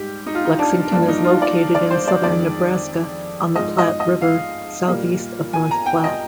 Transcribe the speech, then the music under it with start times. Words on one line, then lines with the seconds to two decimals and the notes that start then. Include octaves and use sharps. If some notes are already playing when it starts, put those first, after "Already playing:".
Lexington is located in southern Nebraska, on the Platte River, southeast of North Platte.
Already playing: G#2 G3 G4
0.26 D#4
0.35 F4
0.45 D#4
0.59 D4
0.91 G2 F3 A#3 D4
1.08 D#4
1.24 F4
1.42 D5
1.75 D5
1.91 C5
2.07 D5
2.23 F2 D#3 G#3 D5
3.55 G#2 F3 G#3 D#5
3.78 D#5
4.00 D#5
4.21 F5
4.87 A#2 G3 A#3
5.53 G#5
5.71 A#5
5.86 G5
6.04 D#5